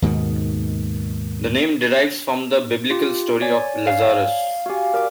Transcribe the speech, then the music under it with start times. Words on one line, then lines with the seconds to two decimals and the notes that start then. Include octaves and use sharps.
The name derives from the Biblical story of Lazarus.
0.02 D#2 G#2 B2 D#3
2.91 F4 G4
3.41 C#5 D5 G#5
3.87 F5
4.66 F#4 G4 F5 G#5
4.94 A#4 D5 D6